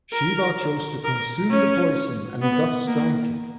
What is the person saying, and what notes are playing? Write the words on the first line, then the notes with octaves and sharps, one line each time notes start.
Shiva chose to consume the poison and thus drank it.
A#4
A#4
C#4
B3
A#3